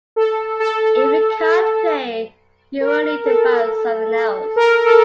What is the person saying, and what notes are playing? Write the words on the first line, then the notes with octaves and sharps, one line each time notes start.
If you can’t play, you will need to find something else.
A4
A4
A#4
A4
A#4
A4